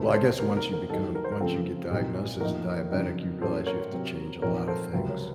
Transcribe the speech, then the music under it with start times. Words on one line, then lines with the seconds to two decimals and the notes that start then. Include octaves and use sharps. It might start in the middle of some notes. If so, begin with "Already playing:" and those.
Well, I guess once you become once you get diagnosed as a diabetic, you realize you have to change a lotta things.
Already playing: C#2 C3 D#3 A4 C5
0.08 C#5
0.14 A4 C5
0.40 C3 D#3 A#3 A#4
0.57 A#4
0.73 A#4
0.90 D#2 D#3 F#3 A3 D#4 A4
1.15 A#4
1.24 C5
1.32 A#4
1.40 C#3 F3 A3 C4 F4 A4
1.91 C2 A#2 F#3 C4 D#4
2.40 A2 F3 A#3 D#4 A#4
2.91 F2 C#3 F#3 C4 D#4
3.41 A2 F#3 A#3 C#4 A4 C5
3.67 A#4 C#5
3.92 C3 F#3 C4
4.42 A#2 F3 C4 D#4 A#4 C#5
4.68 A4 C5
4.93 C#2 C3 F#3 C4 F4 A#4
5.09 A#4 C#5